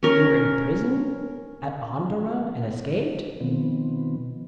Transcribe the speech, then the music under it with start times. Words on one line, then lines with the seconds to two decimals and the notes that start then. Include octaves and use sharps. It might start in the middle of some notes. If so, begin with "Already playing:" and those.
You were in prison at Omdurman and escaped?
0.03 C#4 A#4
3.41 B2 D#3 F3 B3 C4